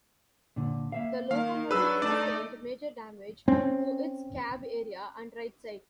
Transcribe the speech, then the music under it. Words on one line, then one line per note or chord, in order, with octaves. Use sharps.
The locomotive sustained major damage to its cab area and right side.
A#2 D3
A#3 E5 F5
D#3 A#3 F5
F#3 D4 G#4 B4 E6
A3 D4 D#4 D5 A5
C4 C#4